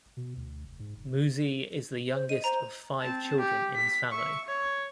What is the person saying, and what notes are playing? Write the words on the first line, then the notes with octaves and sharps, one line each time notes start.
Muzi is the youngest of five children in his family.
B2
D2
F1
G#2
F1
C5
D#5 D#7
C5 A#5
C4 A5
G4
B6
E5 C#6
C#5